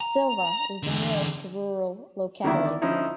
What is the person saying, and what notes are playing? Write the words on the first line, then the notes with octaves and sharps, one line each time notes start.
Sylva is the nearest rural locality.
A#5
E2 D3
D3 D#3 A#3 B3 D4 E4
D5
D3 F3 C#4 D#4 E4